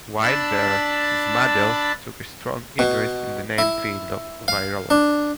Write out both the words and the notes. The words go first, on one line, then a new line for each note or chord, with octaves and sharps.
While there, Smadel took a strong interest in the new field of virology.
D4 A5 B5 E6
B2
E4
F5
D4